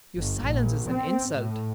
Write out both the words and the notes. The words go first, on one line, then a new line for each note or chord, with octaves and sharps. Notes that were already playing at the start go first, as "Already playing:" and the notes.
"Your silence is an insult!"
G1
A#1
C4
A2